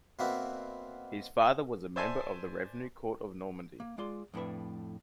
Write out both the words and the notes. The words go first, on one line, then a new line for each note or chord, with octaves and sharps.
His father was a member of the revenue court of Normandy.
B2 A#3 C4 E4 F#4
C5 D5 E5 G#5 A5 C6
A#3
G#3 F4 D5 C6
F2 A2 D4 B4 E5